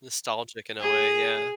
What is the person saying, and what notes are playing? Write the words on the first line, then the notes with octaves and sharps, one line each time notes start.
Nostalgic in a way, yeah.
G#4